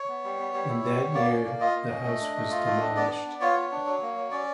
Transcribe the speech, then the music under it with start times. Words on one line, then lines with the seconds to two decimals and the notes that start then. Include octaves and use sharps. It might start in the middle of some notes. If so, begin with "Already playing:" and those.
In that year the house was demolished.
Already playing: C#5
0.09 B3
0.24 G3
0.39 B3
0.54 G3
0.69 E4
0.84 G3
1.00 B3
1.14 A#3 D5
1.30 C#4
1.45 A#3
1.61 F4 D#5
1.75 A#3
1.90 C#4
2.05 A3
2.20 D4
2.36 A3
2.51 F4
2.66 A3
2.80 D4
2.96 B3 D5
3.11 D4
3.26 B3
3.41 F4 C#5
3.56 B3
3.72 D4
3.86 F#3
4.02 A#3
4.17 F#3
4.31 C#4 D5